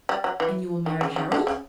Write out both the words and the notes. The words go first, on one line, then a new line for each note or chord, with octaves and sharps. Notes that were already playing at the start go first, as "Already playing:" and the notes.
'And you will marry Harold?'
G3
F#3
E3
D#3
C#3
C#3
D3
C#3